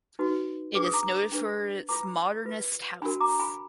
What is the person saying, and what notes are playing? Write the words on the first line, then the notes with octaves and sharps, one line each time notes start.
It is noted for its modernist houses.
D#4 F#4 B4
D4 G#4 B4 D6
D#6
A#5 D6
D4 G#4 B4
F4 B4 A#5 D6
F4 B4
D4 F#4 A#4 G#5 B5
A#5 D6
G#5 B5